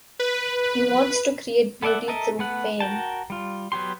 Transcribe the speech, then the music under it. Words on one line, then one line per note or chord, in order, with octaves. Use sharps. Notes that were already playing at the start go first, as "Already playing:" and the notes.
He wants to create beauty through pain.
B4
B3 A4 D5 E5 F#5
A4 A#4 D#5 E5
A3 B3 F#5
F#4 A#4 G5 A5
G3 F4
F#3 B3 G4 C6